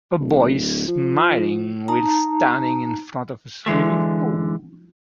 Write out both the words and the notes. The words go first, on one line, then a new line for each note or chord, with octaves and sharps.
A boy is smiling whilst standing in front of a swimming pool.
D1
F3
D#4 A5 A#5
D3 E3 G#3 A3